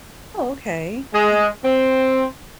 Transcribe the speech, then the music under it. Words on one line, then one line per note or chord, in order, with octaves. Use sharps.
Oh, okay. Um
G#3
C4